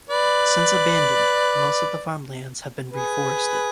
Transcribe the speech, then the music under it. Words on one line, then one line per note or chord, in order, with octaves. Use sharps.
Since abandoned, most of the farmed lands have been re-forested.
B4 D5
G#4 B4